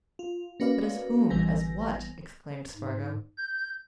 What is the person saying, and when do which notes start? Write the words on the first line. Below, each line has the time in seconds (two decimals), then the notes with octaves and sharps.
"But as whom--as what?" exclaimed Spargo.
0.19 F4
0.60 A#3 C#4 F#4 B4 D5 F5
1.30 A1 E3 G3 B3 G#5 A#6
2.76 G#2
3.37 G6